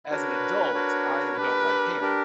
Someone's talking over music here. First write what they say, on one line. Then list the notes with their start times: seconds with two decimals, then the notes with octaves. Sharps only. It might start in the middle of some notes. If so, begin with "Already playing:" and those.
as an adult, I don't like ham,
0.11 D4 F#4 A#4 B4 C#5
0.73 D4 F#4 A#4 C#5
1.37 D4 G4 A#4 B4
2.01 D4 G4 A#4